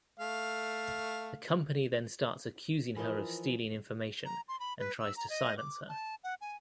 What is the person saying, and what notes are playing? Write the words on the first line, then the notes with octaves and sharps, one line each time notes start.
The company then starts accusing her of stealing information and tries to silence her.
A3 F5
E3 F3 A#4 B4 D#5
A#5
C6
B5
B4
E6
A#5
D#5
D6
A5
F#5
G#5